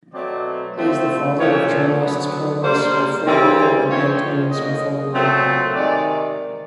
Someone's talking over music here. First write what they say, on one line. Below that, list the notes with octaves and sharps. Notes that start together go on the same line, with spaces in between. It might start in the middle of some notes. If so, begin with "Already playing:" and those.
He is the father of journalists Carlo Scarfoglio and Antonio Scarfoglio.
B2 F#3 A3 C4 D5
D3 F3 A3 C4
A#2 F3 A3 C4 C#5
D3 F#3 B3
B2 G3 A#3 C5
C#3 E3 G3 C4
C#3 F3 A3 C4 C#5
D3 F#3 A#3 D#5
A#2 F#3 A3 C4
C3 D#3 G#3 D5